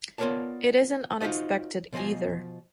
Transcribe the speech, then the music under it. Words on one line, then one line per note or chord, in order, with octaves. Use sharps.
It isn't unexpected, either.
B3 F4 A#4 C#5 D5 A5
D#4 F4 F#4 C5 D#5
B2 F3 C5 D#5 G#5